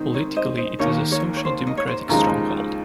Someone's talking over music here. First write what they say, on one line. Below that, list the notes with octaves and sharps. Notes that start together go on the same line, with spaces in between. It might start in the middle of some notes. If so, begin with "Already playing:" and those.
Politically it is a Social Democratic stronghold.
Already playing: D#3 G#3 C4 D#4
A#4 C#5
C5 D#5
C5 D#5
D#2 D#3 A#3 A#4 C#5
A#4 C#5
C#5
C5
D#5
C#5
C5
D#2 C#3 F3 G#3 D#4 A#4